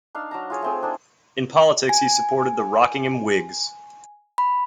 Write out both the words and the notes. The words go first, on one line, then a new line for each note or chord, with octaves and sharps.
In politics he supported the Rockingham Whigs.
D4 D#4 F5
F#3 A5 A#5
F4 G#4 C#5
A3 C4 G#4
C4 D4 D#4 A4
G#5
B5